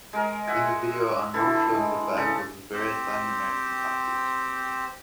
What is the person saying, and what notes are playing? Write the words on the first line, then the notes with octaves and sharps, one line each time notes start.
In the video Anuel shows the flags of the various Latin American countries.
G#3 A#4
E5 F#5 G#5
D3 E3 E4 A4
G#3
C#3 A4
C4 G4 C5